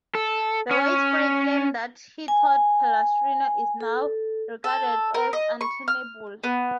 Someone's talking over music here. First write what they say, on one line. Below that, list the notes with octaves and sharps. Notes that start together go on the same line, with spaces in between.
The widespread claim that he taught Palestrina is now regarded as untenable.
A4
C#4
G#5
A4
A4
A#4
D#5
C#6
F6
B3